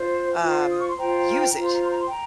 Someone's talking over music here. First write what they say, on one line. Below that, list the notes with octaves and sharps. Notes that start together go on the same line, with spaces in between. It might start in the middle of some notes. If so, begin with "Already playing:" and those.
um, use it
Already playing: F4 C5
F4 C5
D#6
C#6
C6
F4 C5 G5 A#5
F4 C5 A#5
C6
A#5
C6
A#5
C6
G5 A#5